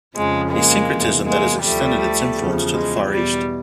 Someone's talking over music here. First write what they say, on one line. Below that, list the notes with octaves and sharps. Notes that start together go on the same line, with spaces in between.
A syncretism that has extended its influence to the Far East.
F2 C#3 F3 G#3
G#3 A#3
E2 C3 E3
G#3 A#3
D2 D3 F3 G3 A3
E2 C#3 F3
G#3
E2 B2 G3